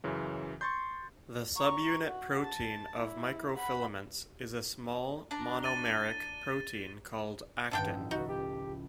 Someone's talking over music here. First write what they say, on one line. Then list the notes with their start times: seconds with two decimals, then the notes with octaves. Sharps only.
The subunit protein of microfilaments is a small, monomeric protein called actin.
0.04 F#2 C#3 E3
0.61 C6 C#6 G6 A6
1.57 A#5 C#6
2.07 F#4
2.42 A5
2.95 E4
3.56 F#5 B5
5.31 D4 A#5
5.63 A6 D#7 G7
7.71 A1 G2 D3 D#3 D4 G5
7.86 F3 D#4 E4
8.11 C#2 D#4 F#4 A4 B5
8.29 G4